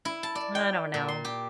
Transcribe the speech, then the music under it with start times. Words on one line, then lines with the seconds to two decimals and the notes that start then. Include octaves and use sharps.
I don't know.
0.05 E4
0.23 A5
0.35 D5
0.55 G5
0.94 A#2
1.08 C6
1.25 G4